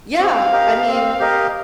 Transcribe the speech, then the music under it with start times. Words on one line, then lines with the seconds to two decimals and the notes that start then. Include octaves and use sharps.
Yeah! I mean,
0.18 C4 F5
0.52 G4 A#4 D#5
0.87 C4
1.20 G4 A#4 D#5